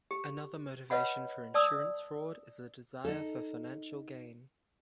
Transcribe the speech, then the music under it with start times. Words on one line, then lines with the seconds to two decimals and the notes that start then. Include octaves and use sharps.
Another motivation for insurance fraud is a desire for financial gain.
0.11 G4
0.90 B4 C#5 D#5 F5 F#5 B5
1.54 D5 A5 D#6 E6
3.05 D#4 A4